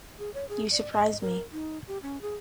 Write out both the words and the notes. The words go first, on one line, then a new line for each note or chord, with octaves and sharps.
You surprise me.
G#4
C#5
G#4
D5
D#5
A#4
D#4
G4
C#4
G#4